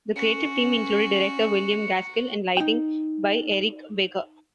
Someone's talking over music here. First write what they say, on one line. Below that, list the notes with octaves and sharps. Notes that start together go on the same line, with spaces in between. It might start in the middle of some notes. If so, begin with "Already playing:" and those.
The creative team included: director William Gaskill and lighting by Eric Baker.
C#4 F#4 C#7
D#4 G5